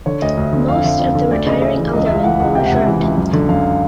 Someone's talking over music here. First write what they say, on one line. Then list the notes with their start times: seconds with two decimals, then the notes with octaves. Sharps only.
Most of the retiring aldermen were returned.
0.06 D3 C#5
0.22 D2 D#5
0.37 D2 E5
0.53 D3
0.68 F2 F5
0.84 D3 E5
1.00 F2
1.15 D3
1.31 D2 D5
1.46 C#3 D#5
1.62 C#3 E5
1.77 E3
1.93 C#2 D#5
2.06 C#2 E5
2.15 F5
2.24 E3 F#5
2.40 C#2 F#5
2.55 C3 G5
2.66 F#5
2.71 C#2 E5
2.87 E3
3.02 C#2
3.18 F#2
3.33 D3
3.49 F#2 F5